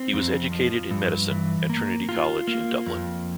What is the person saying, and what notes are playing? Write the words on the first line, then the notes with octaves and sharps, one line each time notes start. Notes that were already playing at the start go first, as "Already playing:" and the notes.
He was educated in medicine at Trinity College in Dublin.
Already playing: C4
F2
F3
G2
E3
A#3
F4
A#3
F2